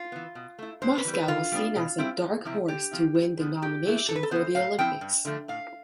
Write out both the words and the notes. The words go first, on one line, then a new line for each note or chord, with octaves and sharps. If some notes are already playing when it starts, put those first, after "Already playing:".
Moscow was seen as the dark horse to win the nomination for the Olympics.
Already playing: F4
E3 B3
B2
A3 E4
G2 C5
B4
E3 G3 C4
B4
D3 F4
G3 B3 D4
B2
G3 C4 E4
E2
C3 F3 C4 E4
D3 G4
F3 C4 E4
G2
D3 F3 B3
A2 G4
E3 A3 E4
G2 A4
B4
A4
E3 B3 C5
A2 F5
F3 C4 E4 G5
G2
D3 F3 A3
A2 F5